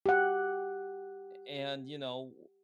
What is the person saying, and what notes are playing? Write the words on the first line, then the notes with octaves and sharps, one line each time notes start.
and, you know,
G4 F#5